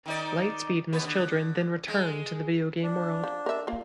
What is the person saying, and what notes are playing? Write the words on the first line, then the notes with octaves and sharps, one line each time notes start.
Lightspeed and his children then return to the video game world.
D#3 D#4 D5
D#2 B2 B3
D3
G#3
D4
F3
A#4 E5
A#3 F4